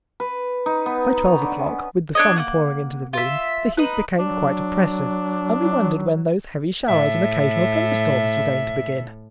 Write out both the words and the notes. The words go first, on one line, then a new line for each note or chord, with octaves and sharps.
By twelve o'clock, with the sun pouring into the room, the heat became quite oppressive, and we wondered when those heavy showers and occasional thunderstorms were going to begin.
B4
D#4
B3
C#5
D3
C#4
D4 C#5 D#5
A#3 C#4 F#5
F4 E5
D#4 B4
F#3 D4
A2 E5